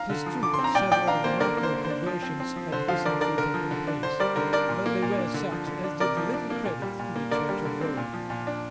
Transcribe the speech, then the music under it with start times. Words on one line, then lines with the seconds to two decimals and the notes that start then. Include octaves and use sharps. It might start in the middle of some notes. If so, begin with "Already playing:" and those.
It is true that several remarkable conversions had recently taken place; but they were such as did little credit to the Church of Rome.
Already playing: F5 A#5
0.10 D3
0.26 F3
0.43 D3 D6
0.54 C4 C6
0.64 A#5
0.75 A#2 D5 G5
0.91 F3 D5 G5
1.07 D4 F5 A#5
1.24 A#3 C5
1.40 D3 A#4 D5
1.57 A#3
1.63 C5
1.73 D3
1.85 C5
1.90 D4
2.06 F3
2.22 C4
2.40 C4
2.56 F3
2.72 D3 C5
2.88 F3 C5 F5
3.05 D3 A#4 D5
3.21 D4 A#4 D5
3.38 D3 A#4
3.54 F3
3.71 D3
3.87 D4
4.03 D3 C5
4.20 G3 A#4 D5
4.36 D3 A#4
4.53 D4 A#4 D5
4.69 A#2
4.86 A#3
5.03 A#2
5.18 D4
5.34 D3
5.52 F3
5.67 D3
5.84 D4
6.00 C3 A#4 D5
6.17 F3
6.34 D4
6.50 A#3
6.66 A#2
6.82 G3
6.99 A#2
7.16 A#3
7.31 D3 A#4 D5
7.49 G3
7.65 D3
7.81 C4
7.97 A#2
8.13 F3
8.30 A#2
8.47 D4